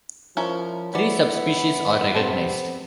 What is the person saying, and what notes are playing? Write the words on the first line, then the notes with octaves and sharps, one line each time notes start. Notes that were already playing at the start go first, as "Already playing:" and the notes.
Three subspecies are recognized.
F3 C#4 E4 A#4
B3 C#4 E4 D5
C3 A4 C5